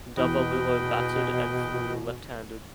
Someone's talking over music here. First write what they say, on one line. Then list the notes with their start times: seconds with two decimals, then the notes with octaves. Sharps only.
Davalillo batted and threw left-handed.
0.17 E2 B2 E3 B4 D#5 G5